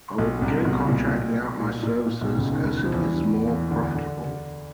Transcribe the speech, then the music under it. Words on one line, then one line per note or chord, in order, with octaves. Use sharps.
I will begin contracting out my services as it is more profitable.
B1 B2
C2 C3
B1 B2
A#2
A#2
B1 B2
A#2
A#2
A#2
B1 B2
C#2 C#3
D#2 D#3
E3
F3
E2 E3
E2 E3
D2 D3
D3